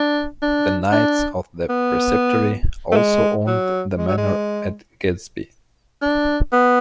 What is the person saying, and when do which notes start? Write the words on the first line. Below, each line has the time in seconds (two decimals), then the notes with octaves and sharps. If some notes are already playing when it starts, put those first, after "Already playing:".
The knights of the preceptory also owned the Manor at Gaddesby.
Already playing: D4
0.42 D4
0.92 D4
1.69 B3
2.92 A3
2.96 G#3
3.47 F#3
3.97 G#3
4.08 F#3
4.17 G#3
6.02 D4
6.52 B3